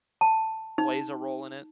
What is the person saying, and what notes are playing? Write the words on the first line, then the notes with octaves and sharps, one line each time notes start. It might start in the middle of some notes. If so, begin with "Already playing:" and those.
plays a role in it.
A5
D#4